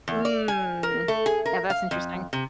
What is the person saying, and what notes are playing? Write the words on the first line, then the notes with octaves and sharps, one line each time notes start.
Mm. Yeah, that's interesting.
E2
D5
G#5
A#4
A3
G#4
A#4
F5
F2
C3